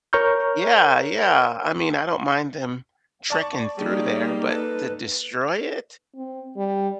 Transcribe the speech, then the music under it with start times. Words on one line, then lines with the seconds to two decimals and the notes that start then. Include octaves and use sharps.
Yeah, yeah, I mean, I don't mind them trekking through there, but to destroy it?
0.13 A#4 C#5 A#5 C#6 F6 G6
3.30 D5 A5 C#6
3.78 G3 A#3 D#4 G#4
4.51 A4 B4
6.16 C4
6.57 G3